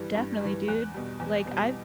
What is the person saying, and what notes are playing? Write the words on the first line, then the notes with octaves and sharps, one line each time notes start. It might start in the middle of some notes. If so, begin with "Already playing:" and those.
Definitely, dude. Like I've
Already playing: G2 E3 G3
G2
E3 G3
E2 F#6
B2 G3
E2
B2
G3